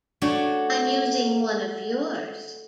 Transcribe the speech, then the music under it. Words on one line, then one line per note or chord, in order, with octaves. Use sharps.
I'm using one of yours.
A3 D4 F#4 C#5